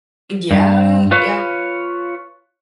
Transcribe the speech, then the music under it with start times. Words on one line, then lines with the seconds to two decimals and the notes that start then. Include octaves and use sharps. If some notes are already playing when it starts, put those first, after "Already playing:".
Eh, g yeah, yeah.
0.51 G2
1.11 F4 B4 C#5